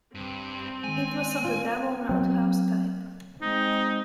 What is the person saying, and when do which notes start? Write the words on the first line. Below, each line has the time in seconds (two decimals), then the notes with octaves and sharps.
It was of the double roundhouse type.
0.15 G2 C4
0.84 D#3 G#3 G#5
1.45 F4
2.09 F#3 C4
3.42 G#3 C4 D#4